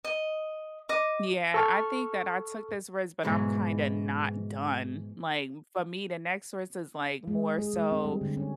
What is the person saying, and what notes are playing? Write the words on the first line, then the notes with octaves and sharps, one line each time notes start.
Yeah, I think that I took this risk, but I'm kinda not done. Like, for me, the next risk is, like, more so,
D#5
D#5 D6
A4 C#6 F6
G#2 B2 E3 F#3 G#3
G#3
G#4
G#3
C4
G3
D3
C#4